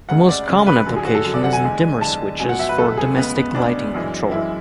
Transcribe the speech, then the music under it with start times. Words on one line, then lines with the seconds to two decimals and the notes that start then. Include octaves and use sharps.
The most common application is in dimmer switches for domestic lighting control.
0.09 D2 C#3 G#3 F#5
0.29 D5
0.48 D2 C#3 G#3
0.66 B4
0.86 F#2 D3 F#3
0.96 G#4
1.05 F#4
1.15 A4
1.24 F#2 D3 F#3
1.34 D5
1.44 F#5
1.53 G#5
1.64 E2 D3 G#3
2.01 E2 D3 G#3 A5
2.40 C#2 B2 F#3 G#5
2.49 F#5
2.59 E5
2.69 B4
2.78 C#2 B2 F#3 A4
2.97 G#4
3.16 D2 C#3 G#3 B3
3.36 B3
3.55 D2 C#3 G#3 D4
3.94 F#2 E3 G#3
4.31 F#2 E3 G#3 E4